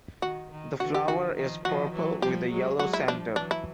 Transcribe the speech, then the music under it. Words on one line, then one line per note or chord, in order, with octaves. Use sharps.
The flower is purple with a yellow center.
D#3 F#4
D#3
D3 E3 F#4
G4
F#4
D#3 F3
D#3 F3 F#4
E3 F#3
F3 G3 G4
F#3 G#3
F#3 G#3 F#4
E4
F3 G3 D4
E3 F#3 D4
E4